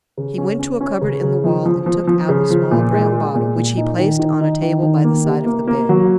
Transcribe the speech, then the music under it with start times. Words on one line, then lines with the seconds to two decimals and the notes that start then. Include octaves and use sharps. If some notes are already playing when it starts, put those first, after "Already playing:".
He went to a cupboard in the wall, and took out a small brown bottle, which he placed on a table by the side of the bed.
0.17 C#3
0.38 C#4
0.59 C#4
0.81 C#4
1.01 C#3
1.23 C#3
1.44 F3
1.66 F3
1.86 F3
2.07 F3
2.29 C#3
2.50 F3
2.71 A#2
2.93 G#3
3.13 G#3
3.35 A#2
3.56 A#2
3.77 D#4
3.98 D#3
4.19 D#3
4.41 D#4
4.62 D#3
4.83 D#3
5.04 A#3
5.25 C3
5.46 A#3
5.68 A#3
5.89 F#3